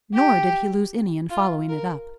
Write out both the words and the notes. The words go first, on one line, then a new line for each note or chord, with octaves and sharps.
Nor did he lose any in following it up.
G4
F4
A#4